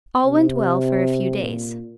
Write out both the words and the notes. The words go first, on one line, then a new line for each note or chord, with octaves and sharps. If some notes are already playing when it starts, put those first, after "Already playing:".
All went well for a few days.
C3
A#2